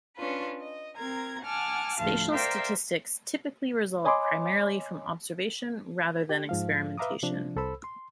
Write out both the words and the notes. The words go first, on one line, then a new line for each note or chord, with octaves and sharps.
Spatial statistics typically result primarily from observation rather than experimentation.
C#4 D4 F4 B4
D#5
C4 A#4 A#5 G#6
F#5 G#5 A5 D6 F6
D2 A2 F3 F5 A5
A#4 C5 D5 E5 F5 G5
C#5 D#5 G#5 B5 C6 D6
G4
G#2 F3 F5
B4 E5 F5 A#5 D6 D#6
C3 F3 D4
C2 A4 C5 B5 E6
C6